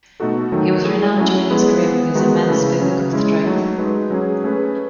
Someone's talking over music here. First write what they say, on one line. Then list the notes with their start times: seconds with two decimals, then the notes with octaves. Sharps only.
He was renowned during his career for his immense physical strength.
0.20 B2 A3 D#4 F#4 A4
0.52 D#3 F#3 A3 D#4
0.85 A3 E4 G#4
1.18 F#3 A3 C#4 E4
1.50 G#3 B3 E4 G#4 B4
1.83 E3 B3 E4
2.15 D#3 G#3 B3 D#4 F#4
2.48 C#3 E3 A3 E4 B4
2.80 C#3 F#3 C#4 G#4
3.13 G#3 C#4 E4
3.46 F#3 A3 D#4
3.78 G#3 D#4 F#4 B4
4.10 F#3 C#4 G#4
4.44 A3 C#4 G#4 B4